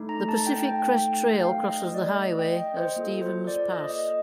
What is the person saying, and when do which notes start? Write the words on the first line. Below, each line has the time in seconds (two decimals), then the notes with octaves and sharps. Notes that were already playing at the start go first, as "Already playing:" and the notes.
The Pacific Crest Trail crosses the highway at Stevens Pass.
Already playing: A3 D#4 A4
0.09 A#5
0.29 A5
0.47 G5
0.66 G5
1.31 G5
1.43 F5
1.69 D#5
1.94 D5
2.20 D#5
2.39 G5
2.57 D#5
2.77 C5
2.96 A#3 F4 A4
3.21 C5
3.47 D5
3.72 D#5
3.91 D#5